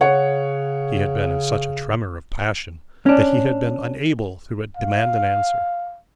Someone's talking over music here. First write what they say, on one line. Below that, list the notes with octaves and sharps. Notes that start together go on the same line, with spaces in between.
He had been in such a tremor of passion that he had been unable to demand an answer.
C#3 C#5 F#5
C#4 D4
F5